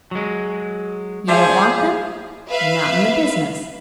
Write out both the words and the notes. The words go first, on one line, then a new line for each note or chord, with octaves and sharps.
You don't want them--you're not in the business.
F#3 G#3
F3 G#4 D5 E5 F5 G5
B4 E5 F5